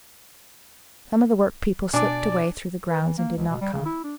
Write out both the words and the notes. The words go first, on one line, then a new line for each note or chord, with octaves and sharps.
Some of the workpeople slipped away through the grounds and did not come.
B2 D4 D5 G#5 A5 D6
B4
E3
A#3
C#2
B2
G3
C#3
E4
D4